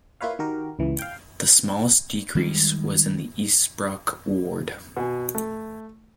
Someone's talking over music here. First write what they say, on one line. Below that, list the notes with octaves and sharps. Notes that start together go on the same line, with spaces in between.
The smallest decrease was in the Eastbrook ward.
A#3 E4 F4 B4 C#5 F5
D#3 F#4 G4 A#4
C#2 E3
F5 G5
D#3 G3 G#3
B2 G#5
A3